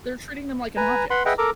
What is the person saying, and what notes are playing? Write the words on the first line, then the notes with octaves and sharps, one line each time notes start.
They're treating them like an object.
B4 G#5 A#5
B4 F#5 B5 C6
G#4 B4 D#5 E5 F#5 G5
A4 A#4 A#5 D6